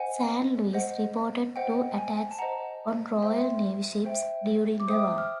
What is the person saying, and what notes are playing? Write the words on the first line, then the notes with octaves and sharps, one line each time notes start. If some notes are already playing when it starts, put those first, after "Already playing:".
"San Luis" reported two attacks on Royal Navy ships during the war.
Already playing: C5 D#5 F#5 G#5
C5 D#5 F#5
C5 D#5 F#5 G5
G#5
A5
C5 D#5 F#5 A#5
C5 E5 G5 C6
C5 E5 G5
D6
C5 E5 G5 D#6
F6